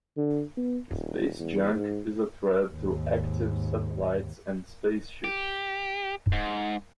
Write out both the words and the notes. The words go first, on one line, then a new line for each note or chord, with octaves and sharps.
Space junk is a threat to active satellites and spaceships.
D3
B3
D#1
E2
G#2
D#2 G#2
G4
G#2